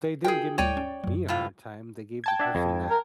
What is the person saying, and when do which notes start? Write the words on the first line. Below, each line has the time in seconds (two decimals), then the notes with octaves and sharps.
They didn't give me me a hard time; they gave the person that
0.24 F4 F#4 G#4 A#4 G5
0.58 D2 G3 C#5 D5 G5 D#7
0.77 C#4
1.04 F#2 F#3
1.28 A2 C3 F4
2.24 G5 A5 G#6
2.40 D4 E5 F#5
2.55 F2
2.90 A#4